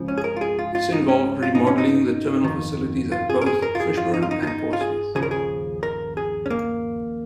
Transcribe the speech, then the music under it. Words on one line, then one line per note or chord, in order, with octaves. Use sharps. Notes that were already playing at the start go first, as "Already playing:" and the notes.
This involved remodelling the terminal facilities at both Fishbourne and Portsmouth.
Already playing: C#2 C#3 F3
C#4
G#4
A#4
F4
G#4
F4
F4
D#4
C#4
F4
D#4
C#4
D#4
F2 D#3
F4
G#4
A#4
G#4
A#4
F4
G#4
F4
D#4
F4
D#4
F4
D#4
F4
G#4
D#2 C#3 F3 G#4
A#4
G#4
A#4
G#4
C#4
A#3